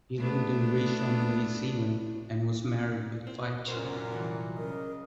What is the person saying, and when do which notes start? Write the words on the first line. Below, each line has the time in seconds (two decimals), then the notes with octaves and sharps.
He lived in Rishon LeZion and was married with five children.
0.17 A3 B3 D4
3.27 B3 C4
3.68 F#2 A#2 A#4 C5
4.12 C2 E3 F#3
4.57 C#3 A#4 D#5